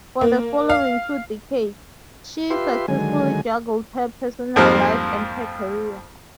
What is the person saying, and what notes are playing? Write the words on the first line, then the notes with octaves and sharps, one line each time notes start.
For the following two decades, she successfully juggled her personal life and her career.
A#3
F5
F4 G4 B4 E5 C6
D3 D#3 F#3 G#3 G#5
F2 G#2 F3 G3 A#3 C4